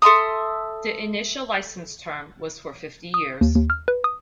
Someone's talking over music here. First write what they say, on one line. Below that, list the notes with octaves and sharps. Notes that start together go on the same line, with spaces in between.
The initial license term was for fifty years.
A4 E5 C6 D#6
D#6
D#2
D#2
F6
B4
D#6